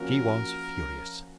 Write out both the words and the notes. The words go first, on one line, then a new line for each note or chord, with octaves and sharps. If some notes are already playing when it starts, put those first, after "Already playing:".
She was furious.
Already playing: F3 A#3 C#4 F#4 A#4